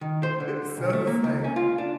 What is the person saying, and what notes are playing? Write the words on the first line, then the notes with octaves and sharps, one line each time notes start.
so it's like,
D#3
C5
D3
B1
A3
A#3
C#2
C#4
F4
D4